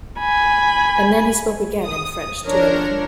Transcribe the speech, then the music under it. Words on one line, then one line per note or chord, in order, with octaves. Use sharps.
And then he spoke again in French to Helene.
G#5 B5
D#6
F3 D4 A#4 C#5